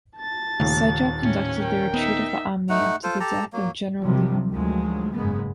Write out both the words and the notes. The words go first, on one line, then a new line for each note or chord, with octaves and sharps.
Sigel conducted the retreat of the army after the death of General Lyon.
A5 A6
D#1 D#2 C#3 A3
A2 C#4
A#4 G5
B3 D#4 E5
A3 D#4 F#5
F4 A4 C5
G4 A4 A5 A#5
F#3 A#3
C3 D#3 F3 G3
D2 D#3 F3 F#3 G#3
F#1 G#2 C#3 G#3 A#3 B3